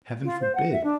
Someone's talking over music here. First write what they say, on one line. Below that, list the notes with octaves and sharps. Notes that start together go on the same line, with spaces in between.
Heaven forbid!
F4
C5
F#5
E5
D4